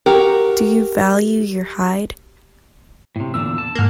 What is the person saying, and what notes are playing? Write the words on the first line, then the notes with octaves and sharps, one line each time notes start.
Do you value your hide.
F#4 G4 A#4
A2 C3
E2 A#2 D3 E6
A5
G#2 A#3